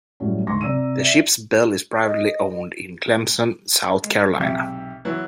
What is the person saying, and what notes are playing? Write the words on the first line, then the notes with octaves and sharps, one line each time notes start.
The ship's bell is privately owned in Clemson, South Carolina.
A2 F#3 G3 C#4
D2 G#2 A#5 C6 C#6 A#6
C3 D5 A#5 E6 D#7
D5 E5
D#5
G#3
B1 G#2 C3 G4 E5
E3 F#3 B3 E4 C#5